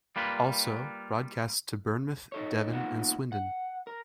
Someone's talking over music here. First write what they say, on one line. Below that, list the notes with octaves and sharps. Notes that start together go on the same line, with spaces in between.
Also, broadcast to Bournemouth, Devon, and Swindon.
G3 A#3 F4 B4
D#4 A4 C#5
A#3 B3 D#4 F4 F#5
F#5
A#4